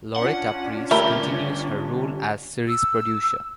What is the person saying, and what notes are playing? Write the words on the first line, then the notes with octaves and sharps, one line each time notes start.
Loretta Preece continues her role as series producer.
C#4 D4 F4 F#5
D3 A3 E4 G4 A#4
E6